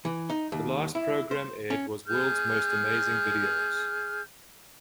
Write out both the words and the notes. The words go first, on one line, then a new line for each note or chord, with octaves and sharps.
The last program aired was "World's Most Amazing Videos".
E3
D#4
D#2
E4
C5
C#4
G#4 F6 G6